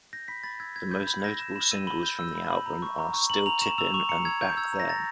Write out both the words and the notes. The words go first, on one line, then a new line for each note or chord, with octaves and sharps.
The most notable singles from the album are "Still Tippin'" and "Back Then".
G6 A#6
B5 B6
B5 A6
E6 G#6
G6 G#6
G#6
B5 G6
B5 G#6
E6 A#6
B5 E7
B5 E7
E6 D#7
B5 G7
G6
E6
B5
B5
A#5
C#6
A#5
C#6
A#5 F#7
A#5 F7
C#6 E7
E6 F7
C#6 F7
A#5 C#7
E6 G#6
C#6 G6
E6 G#6
A#5
A#6
A#5 A6